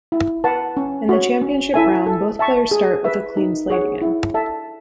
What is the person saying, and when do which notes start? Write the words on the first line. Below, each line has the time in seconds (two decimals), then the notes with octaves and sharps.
In the championship round, both players start with a clean slate again.
0.12 E4
0.44 B4 F#5 A5
0.77 C#4
1.09 F#4 C#5
1.41 C#4
1.74 E4 A4 E5 G#5
2.06 A4
2.39 E5 A5 C#6
2.71 G#4
3.04 B4 E5
3.37 D#4
3.70 G#4 C#5 F#5
4.02 E4
4.34 A4 E5 A5